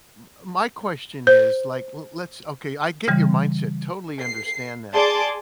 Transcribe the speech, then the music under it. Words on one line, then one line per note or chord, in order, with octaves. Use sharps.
m my question is, like, l let's okay, I get your mindset, totally understand that,
C5
C#3 E3 G3
C7
G#4 D5 A5 C6 D6